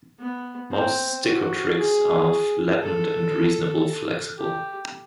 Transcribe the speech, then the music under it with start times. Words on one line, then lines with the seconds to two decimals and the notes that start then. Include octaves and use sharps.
Most stichotrichs are flattened and reasonably flexible.
0.19 B3
0.71 C4
1.24 F#4
1.76 G#4
2.82 A4
4.38 G4